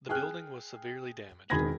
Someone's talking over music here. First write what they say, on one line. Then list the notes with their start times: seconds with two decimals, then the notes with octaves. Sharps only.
The building was severely damaged.
0.09 G#4 G5 F6 F#6
1.50 E1 D#3 G#4 B5 G#6 A#6